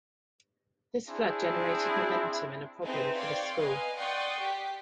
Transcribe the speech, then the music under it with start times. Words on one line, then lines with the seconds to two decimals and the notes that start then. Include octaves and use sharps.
This flood generated momentum and a problem for the school.
1.08 C4 D4 E4 G#4
2.82 C4 D#4 E4 G#4 B4 C5
3.16 C#5 D5 F5 G5 C6
3.58 B4 D#5 F5 G#5
3.98 D5 F#5 G5 C6 C#6 D#6
4.38 G4 B6